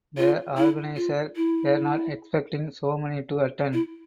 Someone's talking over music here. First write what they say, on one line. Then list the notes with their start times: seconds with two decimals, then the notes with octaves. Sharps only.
The organisers were not expecting so many to attend.
0.18 F4
0.57 E4
0.97 F4
1.36 E4
3.73 E4